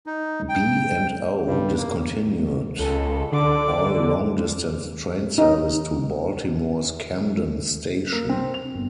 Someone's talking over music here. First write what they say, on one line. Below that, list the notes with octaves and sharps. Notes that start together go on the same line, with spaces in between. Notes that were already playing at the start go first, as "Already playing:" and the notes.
B and O discontinued all long-distance train service to Baltimore's Camden Station.
D#4
G5
G2
A#3
C#2 A4
D3 D5 D6
D#4
A#3
C4
F7
G1